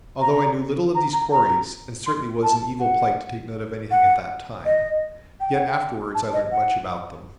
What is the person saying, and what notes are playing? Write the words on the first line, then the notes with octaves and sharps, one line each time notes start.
Although I knew little of these quarries, and certainly was in evil plight to take note of anything at that time, yet afterwards I learnt much about them.
A#5
A#5
A#5
A#5
C6
A5
F#5
F#5
D#5
G5
F#5
G5
A5
D#5
F#5